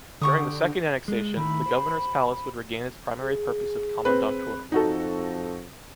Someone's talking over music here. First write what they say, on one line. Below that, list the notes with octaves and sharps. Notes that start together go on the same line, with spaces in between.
During the second annexation, the governor’s palace would regain it’s primary purpose of Kommandantur.
D3 G4 C#6 D#6
G#3
D#3 A3 E4 B5
G4 C5
G#4
C4 B4
F2 D#4 F#4 A4